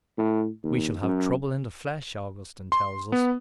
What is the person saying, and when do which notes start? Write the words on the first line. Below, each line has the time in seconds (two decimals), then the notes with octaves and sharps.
We shall have trouble in the flesh, Augustine tells us....
0.18 A2
0.63 D#2
1.03 F#2
2.72 C6
3.12 B3